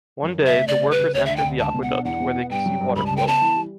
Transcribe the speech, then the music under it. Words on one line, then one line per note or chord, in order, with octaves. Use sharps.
One day, the workers entered the aqueduct, where they could see water flowing.
F#2
C#3
E5
A3
C#3 D5
G3
B4
C#3
D2 C#5
D3 E5
G5
D2
C#2 A5
B2
F#5
D4
E2 F#5
B2
B3
G2 G5
F#3
G2
C#2 B5
C#3 A5
G5
B3 A5
E3
G3